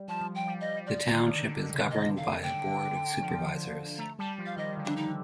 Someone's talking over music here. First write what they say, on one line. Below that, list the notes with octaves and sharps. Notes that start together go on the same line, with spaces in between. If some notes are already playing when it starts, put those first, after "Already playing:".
The township is governed by a Board of Supervisors.
Already playing: G3
F3 A5
G5
G3
D#5
G3
F3 D5
D3
D#3
D3
D3
C3
C3 D#5
F5
D3 G5
F3
A3 A#5
G3 A5
F3
F5
D#3 D#5
D#3
D3
D4
D3 D#4